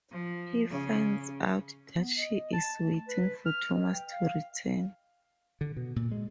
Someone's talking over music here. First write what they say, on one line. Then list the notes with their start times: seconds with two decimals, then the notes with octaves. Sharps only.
He finds out that she is waiting for Thomas to return.
0.12 F3
0.71 C#3
1.97 B3
2.18 D#5
2.53 A5
2.82 A3
3.08 B4
3.46 F6
3.74 D#5
3.92 G5
4.12 F5
5.61 D3
5.77 B2
5.96 A#2
6.11 G#3